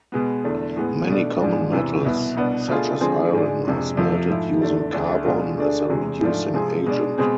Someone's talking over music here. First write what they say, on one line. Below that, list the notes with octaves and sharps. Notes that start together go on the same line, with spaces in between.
Many common metals, such as iron, are smelted using carbon as a reducing agent.
B2 G#3 B3
E2 D3 A3
A2 G#3 B3
B2 A3 D4
G#2 F3 G#3 D4
E2 C3 E3
C2 B2 B3 E4
C2 B2 B3 D4
B2 A3 D4 F4 G#4
D3 F3 G#3 C4 G#4
G#2 G#3 D4
F2 C3 G#3 D4
F2 C3 F3 A3
G#2 F3 A3 E4
E2 D3 A3
D2 D3 A3 E4 G#4
B2 G#3 D4 F4
D2 D3 A3 D4 G#4
E2 C3 E3 G#3
G#2 F3 A3 D4 F4
C3 F3 G#3 C4 G#4
B2 G#3 D4
B2 G#3 C4 G#4